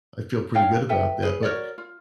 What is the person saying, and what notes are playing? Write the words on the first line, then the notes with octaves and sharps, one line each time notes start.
I feel pretty good about that, but
C#5 F5 G5
A4 B4 E5 G5
G#4 B4
F#4 A#4 C#5 D5
F4